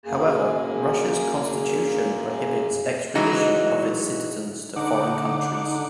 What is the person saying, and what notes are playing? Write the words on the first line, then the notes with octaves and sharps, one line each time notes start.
However, Russia's Constitution prohibits extradition of its citizens to foreign countries.
F#2 A#3 G#4
E3 F#3 G#3 D#4 F#4
D3 D#4 F#5 D6